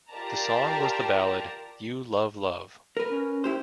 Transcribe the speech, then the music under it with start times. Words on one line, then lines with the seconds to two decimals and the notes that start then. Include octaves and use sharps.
The song was the ballad "You Love Love".
0.10 F4 G4 A#4 D5 A5 A#5
2.97 A#4 B4
3.10 C#4
3.44 E4 G4 C5